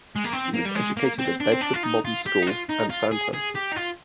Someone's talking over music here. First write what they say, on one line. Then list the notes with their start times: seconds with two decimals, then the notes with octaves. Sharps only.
He was educated at Bedford Modern School and Sandhurst.
0.16 G#3
0.24 A#3
0.33 C4
0.54 A#3
0.65 G3
0.75 G#3
0.97 A#3
1.19 C4
1.40 D4
1.52 C4
1.61 D4
1.74 F4
1.83 D#4
2.05 F4
2.26 G4
2.42 D#4
2.47 F4
2.69 D#4
2.90 F4
3.12 G#4
3.34 G#4
3.56 G4
3.72 D#4
3.76 F4